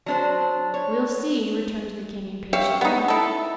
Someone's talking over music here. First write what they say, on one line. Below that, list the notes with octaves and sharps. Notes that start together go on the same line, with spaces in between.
"We'll see," returned the King, impatiently.
F#3 D4 C5
C#5
G4 C#5 E5 F5
B3 D#4
E4 A4